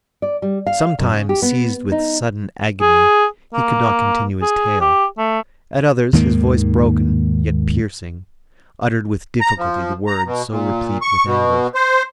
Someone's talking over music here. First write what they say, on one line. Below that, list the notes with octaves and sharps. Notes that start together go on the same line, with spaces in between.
Sometimes, seized with sudden agony, he could not continue his tale; at others, his voice broken, yet piercing, uttered with difficulty the words so replete with anguish.
D5
G3
F5
F#2
C#3
G4
B3
D#4
G#4
A#3
G#4
G4
A3
D#2 G#2 D#3 A#3
A#5
F3
A#5
B2
A#2
C#6
B2
C5